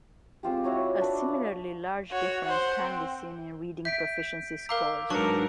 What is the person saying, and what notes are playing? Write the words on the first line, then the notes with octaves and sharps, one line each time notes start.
A similarly large difference can be seen in reading proficiency scores.
G#3 C4 F4 G4
E4 F#4 C#5 D#5
D4 B4
F5
F#4 C#5
C5 F#5
C4
E5 G6 B6 D7
A#4 F5 A#5 D6 E6
G#2 F#3 D4 A#4 B4 A5 C#6 C#7